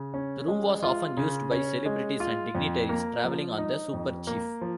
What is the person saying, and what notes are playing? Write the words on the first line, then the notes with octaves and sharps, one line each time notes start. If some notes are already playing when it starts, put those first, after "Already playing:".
The room was often used by celebrities and dignitaries traveling on the "Super Chief".
Already playing: C#3
C#4
G#3
F4
C#3
C#4
G#3
F4
F2
A#3
F3
D#4
F2
A#3
F3